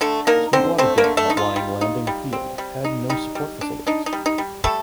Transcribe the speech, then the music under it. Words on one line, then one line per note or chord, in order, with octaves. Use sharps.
The Sweetwater Dam Outlying Landing Field had no support facilities.
D3 A3 A4
A#3 D#4 A#4
D3 C4 C5
A3 C4 C5
A#3 A#4
D3
A3 A4
D#4
F4
G3
D#4
G3
C4
G3
D#4
G3 D#4
G3
D4
D4 D#4
D#4
G3
D#4
G3
G3 A3 A4